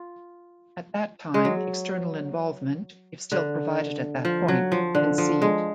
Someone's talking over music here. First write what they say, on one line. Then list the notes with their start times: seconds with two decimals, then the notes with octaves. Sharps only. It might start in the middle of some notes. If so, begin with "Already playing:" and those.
At that time, external involvement, if still provided at that point, can cede.
Already playing: F4
1.34 G#3
1.45 F#3
3.32 D3
4.25 F3
4.48 F#3
4.72 F3
4.95 D3
5.18 F3
5.42 G#3